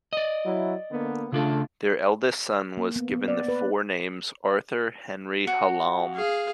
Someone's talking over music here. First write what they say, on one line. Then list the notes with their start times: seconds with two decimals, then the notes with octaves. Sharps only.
Their eldest son was given the forenames Arthur Henry Hallam.
0.13 D5 D#5
0.45 F#3 E4
0.91 D3 A#3 B3
1.32 C#3 A3 D4 F4 A4
2.77 A#3
2.96 B3
3.12 B3
3.28 D5
3.48 B4
5.47 F#4
6.16 G#4 F5